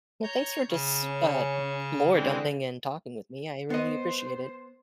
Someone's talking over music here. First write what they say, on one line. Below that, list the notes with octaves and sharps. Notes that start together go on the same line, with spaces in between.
Well, thanks for just, uh, n lore dumping and talking with me, I really appreciate it.
C#5 A#5 G6
C#3 C#6
C#4
D3 E3 G#3 C4
B3 C5 D#5